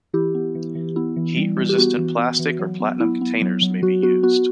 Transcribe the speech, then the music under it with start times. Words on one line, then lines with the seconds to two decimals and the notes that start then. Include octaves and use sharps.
Heat resistant plastic or platinum containers may be used.
0.14 E3 E4 G4
0.35 B3
0.55 E3
0.75 E3
0.96 B3 E4
1.16 E3
1.37 G3
1.57 G3
1.69 G4
1.78 B3 F#4
1.98 E3
2.18 B3
2.39 E3
2.59 F#3
2.80 B3
3.00 B3 E4
3.21 B3
3.41 F#3
3.62 F#3
3.82 F#3 F#4
4.03 B3 F#4
4.23 B3 F#4